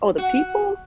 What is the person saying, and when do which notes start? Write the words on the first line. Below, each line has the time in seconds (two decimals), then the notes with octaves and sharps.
Oh, the people?
0.18 F#4